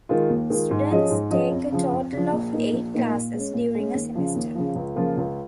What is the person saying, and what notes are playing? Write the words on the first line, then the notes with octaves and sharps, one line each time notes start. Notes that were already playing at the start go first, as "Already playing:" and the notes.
Students take a total of eight classes during a semester.
D#3 G#3 F4
D#2
D#3 G#3 F4
G#2
F3 C#4 G#4 D#5
G#2
F3 C#4 G#4 D#5
F2
C#3 F3
F2
C#3 F3
A#1
A#2 A#3 D#4
A#1
A#2 A#3 D#4
A#2
G#3 C#4
A#2
G#3 C#4
D#2
C#3 F3
D#2
C#3 F3
C#2
C#3 F3 A#3 F4
C#2